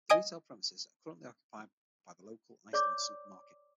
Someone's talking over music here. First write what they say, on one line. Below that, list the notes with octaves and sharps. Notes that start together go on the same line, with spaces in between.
The retail premises are currently occupied by the local Iceland supermarket.
D#5 G#5 D#6 D7
C#5 D5 D6